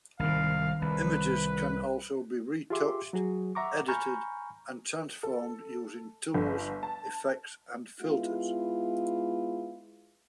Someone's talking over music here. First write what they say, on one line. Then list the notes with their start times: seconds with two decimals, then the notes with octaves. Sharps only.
Images can also be retouched, edited, and transformed using tools, effects and filters.
0.20 C2 G#2 D#3 F5
0.82 C2 B4
2.70 F4 G4 G#4 E5 C6 D6
3.13 F#3 F#4 G#4
3.55 E5 F#5 A#5 C#6 D6
3.88 G#5 A#5 B5 C#6 F6 G6
5.23 A4
6.34 G1
6.83 A5
7.99 G#3 B3 E4 F4